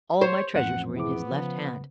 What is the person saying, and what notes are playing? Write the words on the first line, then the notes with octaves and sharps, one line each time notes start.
All my treasures were in his left hand.
C5 C#5
A1 F2 F#5
B3 E4 G#4 D6
C#3 F3